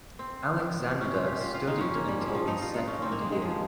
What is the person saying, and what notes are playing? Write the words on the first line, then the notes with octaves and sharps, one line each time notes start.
Alexander studied until the second year.
C4
C#4
F4
G4
F4
F4
D#4
C#4
A#3
G3
F3
G3
F3
D#4
F4
D#4
C#4
C4
A#3
G#3
G#3
F3